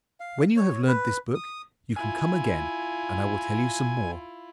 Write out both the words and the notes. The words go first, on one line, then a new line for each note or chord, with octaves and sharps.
When you have learnt this book, you can come again, and I will tell you some more.
F5
C#5
B4
D#6
E4 F4 G#5